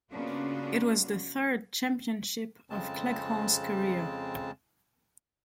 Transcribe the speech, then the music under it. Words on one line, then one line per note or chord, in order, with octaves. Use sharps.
It was the third championship of Cleghorn's career.
C#3 A#3 B3 D4 F4 F#4
F2 C#3 G#3 C4 A5